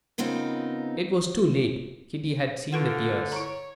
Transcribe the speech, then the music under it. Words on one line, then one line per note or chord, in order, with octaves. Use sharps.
It was too late; Kitty had seen the tears.
C#3 B3 C4 D#4 F4 A#4
D3 E4 F4 B4 F#5
E4 C#5 A#5